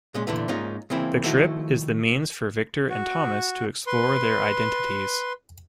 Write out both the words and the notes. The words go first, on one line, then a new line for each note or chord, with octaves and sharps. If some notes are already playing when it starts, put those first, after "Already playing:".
The trip is the means for Victor and Thomas to explore their identities.
A#2 G#3 C#4
A#2 D3 E3 A3
G#2 A#3 C#4 D#4 F4
C#3 E3 A#3 C4 E4
D#3 F3 A3 E4 F#4
F#4
B4 C6